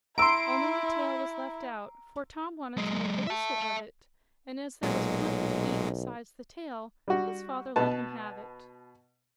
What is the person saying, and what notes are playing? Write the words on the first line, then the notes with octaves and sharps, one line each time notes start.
Only the tail was left out, for Tom wanted to make a whistle of it, and as there was plenty to eat besides the tail his father let him have it.
E4 A#5 C6 E6 D7
F#3 G#3
E5 A5
B1 A#2 F#3 G#3
G3 F#4
B2 B4 A5